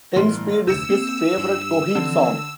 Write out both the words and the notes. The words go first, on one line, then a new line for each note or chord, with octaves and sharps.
Ten Speed is his favorite Coheed song.
G1 A2 E3 C6
F1 D2 E6 G6 C#7
A#3 C4
G2
D3 E3 F3 C4